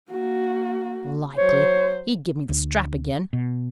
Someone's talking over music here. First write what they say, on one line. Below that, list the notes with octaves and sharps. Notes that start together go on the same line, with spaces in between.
Likely! he'd give me the strap again.
A#3 F#4
F#3 C5 C#5
D2
B2